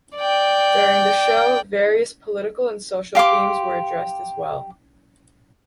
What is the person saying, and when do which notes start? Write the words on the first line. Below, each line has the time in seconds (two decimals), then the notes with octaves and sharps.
During the show, various political and social themes were addressed as well.
0.17 D5 G5
3.15 G4 F5 C6 D6